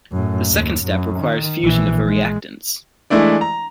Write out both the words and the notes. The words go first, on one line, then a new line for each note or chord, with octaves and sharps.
The second step requires fusion of the reactants.
F#2 A2
D#2
F#2
D#3
A#1 E3
G#3
E3 G#3 A3 D4 E4 D5
A#5